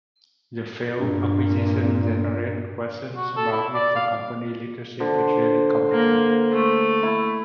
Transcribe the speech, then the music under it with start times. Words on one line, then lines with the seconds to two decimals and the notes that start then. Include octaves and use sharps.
The failed acquisition generate questions about if the company leadership is really competent.
0.98 G2 A#2 D4
3.16 F#4
3.37 A4
3.52 E4
3.75 D5
3.96 F5
5.00 D3 C5
5.91 A#3
6.52 A3
7.03 E4